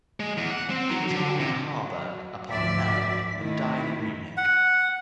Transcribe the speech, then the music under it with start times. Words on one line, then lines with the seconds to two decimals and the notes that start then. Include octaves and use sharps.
He was born in Harburg upon Elbe and died in Munich.
0.20 G#3
0.37 E2
0.51 F#5
0.70 C4
0.90 F#3
1.11 D3
1.40 C3
1.75 F#3
2.50 D2 G#2 F3 D5 E5
3.38 D#3 A3 E4
4.37 F#5